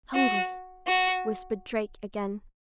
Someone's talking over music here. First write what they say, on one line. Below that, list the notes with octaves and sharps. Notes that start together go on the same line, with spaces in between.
"Hungry," whispered Drake again.
F#4
F#4